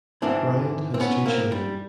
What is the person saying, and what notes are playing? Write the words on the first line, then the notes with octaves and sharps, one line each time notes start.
Bryant has two children.
G#2 E3 C4 D4
C4
B3 C#4
A#3 C4
G3